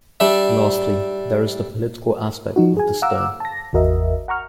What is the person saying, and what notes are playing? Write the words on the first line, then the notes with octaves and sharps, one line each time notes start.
Lastly, there is the political aspect of the stone.
G3 D4 E5
F3 D#4 F#4
G#4 G#5
F5 F#5 A#5 D6 E6
A5 A#6
G#1 E2 F#4 A#4 D#5 E5
F#5 A#5 C#6 F6